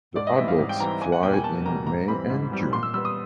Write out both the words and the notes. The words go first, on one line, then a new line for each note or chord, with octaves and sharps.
The adults fly in May and June.
G#2 D5
D#5
E3 G3 C4 E5
F5
G#2
G5
E3 G3 C4 A#5
E2 G#5
F#5
B2 G3 A#3 G5
G#5
E2 A5
B2 G3 A#3 A#5
G#2 A#5
E3 G3 C4 B5
G#2
E3 G3 C4
A#2 C6
E6
G3 B3 E6
D#6